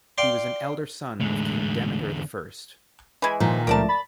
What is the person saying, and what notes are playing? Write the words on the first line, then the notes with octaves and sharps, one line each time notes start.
He was an elder son of King Demetre the First.
D5 F5 G5 C6
E2 A2 D3 G#3
E3 G#3 B5 G#6
A#2 D#3 F3
C#2 F3 A3 A#4 D5 A5
B5 A6